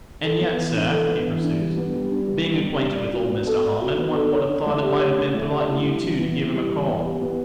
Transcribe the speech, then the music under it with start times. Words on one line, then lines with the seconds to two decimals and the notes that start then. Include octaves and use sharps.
'And yet, sir,' he pursues, 'being acquainted with old Mr Harmon, one would have thought it might have been polite in you, too, to give him a call.
0.24 A4
0.41 B3
0.58 E3
0.75 D4
0.92 A4
1.08 B3
1.26 E3
1.43 D4
1.60 G3
1.77 B3
1.94 G3
2.11 D4
2.28 G3
2.45 B3
2.62 G3
2.79 D4
2.96 D5
3.13 F#4
3.30 B3
3.47 A4
3.65 D5
3.81 F#4
3.98 B3
4.15 A4
4.33 C#5
4.49 D4
4.66 A3
4.83 G4
5.00 C#5
5.17 D4
5.34 A3
5.51 G4
5.69 E4
5.85 G3
6.02 E3
6.19 B3
6.36 E4
6.53 G3
6.71 E3
6.87 B3
7.05 G4
7.21 B3